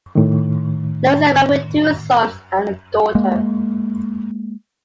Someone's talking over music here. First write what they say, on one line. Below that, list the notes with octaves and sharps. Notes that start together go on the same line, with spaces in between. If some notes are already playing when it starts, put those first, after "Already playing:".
Low is married with two sons and a daughter.
A2 D#3
G#3 A#3